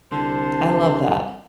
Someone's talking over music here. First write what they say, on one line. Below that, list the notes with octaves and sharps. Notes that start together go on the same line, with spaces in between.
I love that.
C2 D3 C5 A5